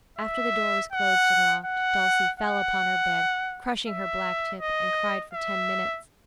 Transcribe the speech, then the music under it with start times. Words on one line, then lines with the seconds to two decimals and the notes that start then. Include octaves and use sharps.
After the door was closed and locked, Dulcie fell upon her bed, crushing her black tip, and cried for ten minutes.
0.19 E5
0.92 F#5
1.65 F#5
2.40 F#5
3.87 E5
4.60 D#5
5.33 E5